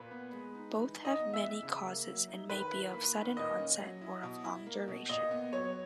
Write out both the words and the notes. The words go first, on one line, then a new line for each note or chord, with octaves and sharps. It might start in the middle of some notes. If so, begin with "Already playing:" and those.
Both have many causes and may be of sudden onset or of long duration.
Already playing: A#2 B4
B3
G#3
D#4
E3
D#4
D#5
B3
E5
E3
C#3
A#3
F#3
D#4
D#3 B4
E4
A#3
D#3
A#2 D#5
C#4
F#3
E4
B2
E4
A#3
B2
A#2 D#5
B3
F#3 C#5